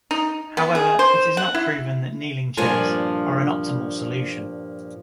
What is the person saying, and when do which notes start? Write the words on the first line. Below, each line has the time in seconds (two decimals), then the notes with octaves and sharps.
However, it is not proven that kneeling chairs are an optimal solution.
0.11 D#4
0.57 B3
0.75 G#4
0.99 C5
1.37 F#5
1.55 E4
2.57 G2 A#2 F3 D4 F4 G#5